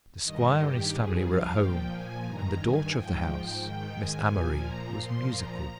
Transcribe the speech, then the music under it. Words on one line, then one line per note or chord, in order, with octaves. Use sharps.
The squire and his family were at home, and the daughter of the house, Miss Amory, was musical.
G2 D#3 D#5
G4
G2 F3 G#4
F5
A#2 F3 G5
G#5
G2 D#3 A#5
G#5
G#2 F3 G5
G#2 D#3 G5
G#5
A#2 F3
A#5
A#2 F3 C6
A#5